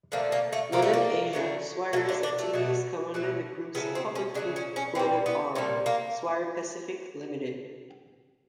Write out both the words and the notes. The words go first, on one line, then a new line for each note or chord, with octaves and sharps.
Within Asia, Swire's activities come under the group's publicly quoted arm, Swire Pacific Limited.
D3 F3 A3 A#3
A#3
A3
D3 F3 A3 A#3
A3
A#3
D3 F#3 A3
D3 F#3 A3 A#3
D4
D4
A3
B2 F#3 A3
B2 F#3 A3
C#3 F#3 A3 B3
C4
C#4
C#3 F#3 A3 D4
C#4
C#4
A#2 G3 C4
B3
A#2 G3 A3
A#3